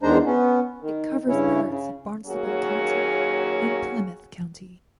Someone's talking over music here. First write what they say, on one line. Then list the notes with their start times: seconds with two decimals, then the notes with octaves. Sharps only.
It covers parts of Barnstable County and Plymouth County.
0.03 E2 D#3 G#3 D4 C5 A#5
0.26 B3 C#4
0.82 D#3
1.28 G2 C#3 C#4 E4 C#5
1.68 C#3
2.26 D#2 F#3 A#3 C#4 F#4 G#4